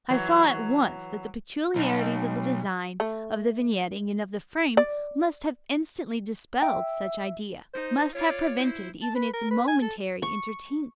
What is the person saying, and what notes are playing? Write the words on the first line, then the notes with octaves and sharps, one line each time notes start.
I saw at once that the peculiarities of the design, of the vignetting, and of the frame, must have instantly dispelled such idea--must have prevented even its momentary entertainment.
E3 F#3
B1
A3
D5
E5 G5
D#4 C5
F4 C#5 D5
E4 C5
A5
B4
A#4
B4
G#5
A4
C#6